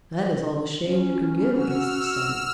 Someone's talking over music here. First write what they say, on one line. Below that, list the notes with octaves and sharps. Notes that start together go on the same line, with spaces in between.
"That is all the shade you can give against the sun."
C#4
F#4 E6 F6